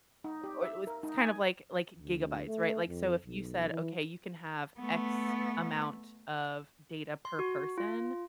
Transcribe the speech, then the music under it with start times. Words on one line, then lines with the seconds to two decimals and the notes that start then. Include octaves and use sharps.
Or it was kind of like like gigabytes, right? Like, so if you said, okay, you can have X amount of data per person,
0.24 D#4
0.44 G4
0.63 E5
0.87 A#4
1.03 D#4
1.20 G#5
1.98 D2
2.48 A3
2.87 F2
3.26 B1
3.70 E3
4.79 A3 B3
7.25 C6
7.39 F#4
7.78 F4